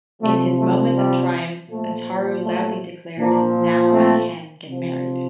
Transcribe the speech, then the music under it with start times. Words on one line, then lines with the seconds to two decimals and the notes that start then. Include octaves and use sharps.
In his moment of triumph, Ataru loudly declared Now I can get married!!
0.21 C3 F3 A3
0.58 A3
0.95 G3
1.69 A#2 F3 A3
2.44 A3
3.18 A#2 F3 A#3 D4
3.92 A3 C4
4.66 C3 F3